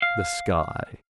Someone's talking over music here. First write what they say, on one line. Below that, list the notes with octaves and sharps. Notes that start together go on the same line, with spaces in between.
The sky.
F5